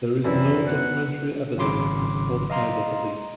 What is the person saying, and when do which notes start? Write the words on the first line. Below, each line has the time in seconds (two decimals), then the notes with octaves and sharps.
There is no documentary evidence to support either belief.
0.24 F#2 C3 E3 E4 D5
0.67 B3 F#5
1.57 G#1 C#3 F#3 B5 C6 D6
2.50 D#5 F5 A#5 C6